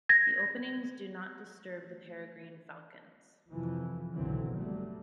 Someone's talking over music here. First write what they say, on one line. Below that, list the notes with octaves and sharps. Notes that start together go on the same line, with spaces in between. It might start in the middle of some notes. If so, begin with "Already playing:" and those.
The openings do not disturb the peregrine falcons.
G#6 A#6
F2 C3 E3 F3
F#1 B1 D3 E3 F#3 C4
B2 F#3 G3 A3